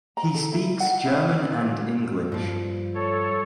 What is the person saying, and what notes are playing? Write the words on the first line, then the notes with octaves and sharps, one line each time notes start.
He speaks German and English.
A#5
A4
E4
F#5
E4
G2 F3
A4 C#5